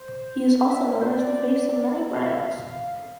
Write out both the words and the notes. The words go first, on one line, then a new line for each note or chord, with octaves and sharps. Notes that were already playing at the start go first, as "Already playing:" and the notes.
He is also known as the face of many brands.
Already playing: C5
E5
C5
D5
F5
E5
F5